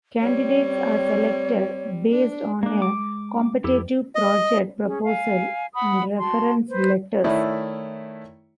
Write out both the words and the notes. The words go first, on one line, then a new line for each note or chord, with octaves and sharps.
Candidates are selected based on a competitive project proposal and reference letters.
G3 C4 C#5
D4
G#3 A#3 D4
D6
F2 E4 G4 A4
D#5
C#4 G#4
F5 G#5
F#5 B5 D#6
F#4 A5 C6
B4 C5
D#3 A3 E4 C#5 D5